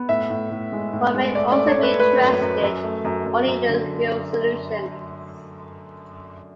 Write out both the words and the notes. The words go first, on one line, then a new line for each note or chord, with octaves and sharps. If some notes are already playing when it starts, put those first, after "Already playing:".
One may also be interested only in the real solutions.
Already playing: B3
A2 E5
A2
A2
G#3
A2
G#3
A3 D5
D5
A3
C#5
A3 B4
A3 B4
F#2
F#2
F#2
A3
F#2
F#2
F#2
D3